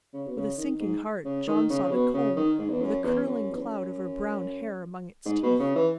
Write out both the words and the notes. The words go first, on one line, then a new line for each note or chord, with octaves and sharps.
With a sinking heart John saw the comb with a curling cloud of her brown hair among its teeth.
C#3
B2
C#3
D#3
G#2
C#3
D#3
C#3
C#3
B2
C#3
D#3
G#2
E2
F#2
E2
F#2
E2
F#2
G#2
B2
C#3
E3